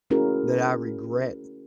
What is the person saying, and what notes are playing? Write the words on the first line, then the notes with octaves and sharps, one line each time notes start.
that I regret."
A3 C#4 E4 F#4 G#4 A#4